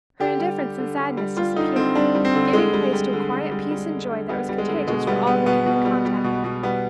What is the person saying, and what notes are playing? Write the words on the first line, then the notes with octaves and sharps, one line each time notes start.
Her indifference and sadness disappeared, giving place to a quiet peace and joy that was contagious for all who came in contact with her.
D3 G4
G3
G3
D3
D3
G3
G3 F4
D3 D#4
D3 C4
G3 D4
G3
C4
D3
D3 G#3
G3
G3
D3
D3
G3
G3
D3
D3
G3 B3
G3
G#3
D3
B2 G#3
G3 B3
G3 B3
B2 B3
B2
G3
G3
B2
B2
G3 B3